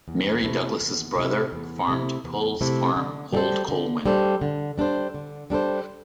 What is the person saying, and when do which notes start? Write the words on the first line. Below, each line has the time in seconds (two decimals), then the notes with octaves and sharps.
Mary Douglas's brother farmed Peulws farm old Colwyn.
0.08 E2
0.43 C3 A3 E4
0.80 E2
1.16 C3 A3 E4
1.52 E2
1.88 C3 A3 E4
2.24 E2
2.61 C3 A3 E4
2.96 D3
3.33 G3 D4
3.36 A4 C5
3.68 D3
4.06 G3 D4 A4 C5
4.42 D3
4.78 G3 D4 A4 C5
5.14 D3
5.50 G3 D4 A4 C5